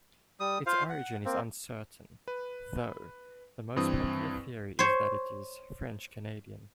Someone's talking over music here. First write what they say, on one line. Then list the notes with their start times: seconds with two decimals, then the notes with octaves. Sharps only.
Its origin is uncertain, though the most popular theory is that it is French-Canadian.
0.40 G3 D#6
0.66 F4 C5 F5
0.89 F#5
1.25 A#3 C4
2.28 B4
3.76 G2 E3 C4 D#6
4.79 C5 C#5